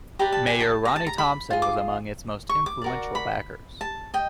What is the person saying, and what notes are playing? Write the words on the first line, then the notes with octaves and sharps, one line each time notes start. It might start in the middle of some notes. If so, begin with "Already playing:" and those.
Mayor Ronnie Thompson was among its most influential backers.
G4 B4 D5 A#5
A5
G#5
A5
A#5
A5
A#5
B5
F4 G#4
D6
C#6
D6
F#4 A#4 D5
B5
A5
D#5 G5